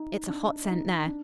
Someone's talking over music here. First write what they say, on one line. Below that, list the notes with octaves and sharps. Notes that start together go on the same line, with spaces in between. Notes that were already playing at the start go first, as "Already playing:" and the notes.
It's a hot scent there.
Already playing: D#4
D4
D#4
D4